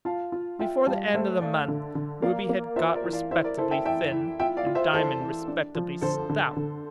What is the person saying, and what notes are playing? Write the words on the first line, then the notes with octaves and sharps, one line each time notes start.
BEFORE the end of the month, Ruby had got respectably thin, and Diamond respectably stout.
F4 F5 A5
F4
F4 E5 G5
G3 F5 A5
A3 C5 E5
A3 D5 F5
D3
D3
A#3 D5 F5
A#3
F4 C5 E5
A#4 D5
E3
D5 F5
E4 C5 E5
A#4 D5
E4 A4 C5
E5 G5
E3 E5 G5
E4
F4 E5 G5
D5 F5
F4
C5 E5
E3 A4 C5
E3
D4
F3
D3 A4 C5
D3
D3